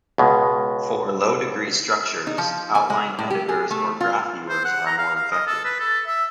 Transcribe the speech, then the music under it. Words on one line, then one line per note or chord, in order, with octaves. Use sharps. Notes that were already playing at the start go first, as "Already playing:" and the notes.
For low-degree structures, outline editors or graph viewers are more effective.
C#2 B2 G#3
D#4
F3
G#5
G#3
A2
G4
G#4
A3
F4
C5
F#5
A#5
F5
F5
D#5
A4
B4
A4
E5